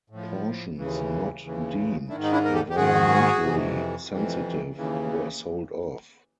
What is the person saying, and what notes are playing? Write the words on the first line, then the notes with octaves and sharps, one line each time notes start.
Portions not deemed environmentally sensitive were sold off.
A2
F3
D#2 C#3 E3
D#2 C#3 E3
G#2 D#3 D4 E4
D#4
D4 E4
A#4
G4 A4
G4
G#2 D#3 F#4 G#4
F2 C3 E3
F2 C3 E3
D#2 C#3 E3